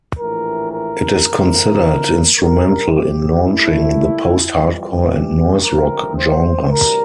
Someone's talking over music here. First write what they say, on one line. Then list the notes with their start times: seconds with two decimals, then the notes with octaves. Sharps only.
It is considered instrumental in launching the post-hardcore and noise rock genres.
0.18 A#1 A2 E3 A#4
0.72 A#4
1.26 A2 F3 A3
2.35 C2 C3 G3 A#4
2.90 G4
3.44 C2 A#2 A3 E4
4.53 F2 E3 G3
5.08 G4
5.61 A1 G2 F3 A3 C4 A#4
6.15 C5
6.70 D2 C3 E3 G3 A#4